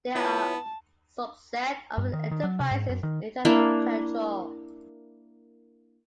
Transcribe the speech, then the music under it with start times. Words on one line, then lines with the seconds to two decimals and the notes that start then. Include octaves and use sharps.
They are a subset of an enterprise's internal control.
0.15 B3 E4 F4 B4 C#5 E5 A5
1.98 G2
2.13 D#3
2.31 D#3
2.44 F#3
2.60 C3
2.71 G#2
2.89 F#2
3.03 D#3
3.45 A#3 D4 E4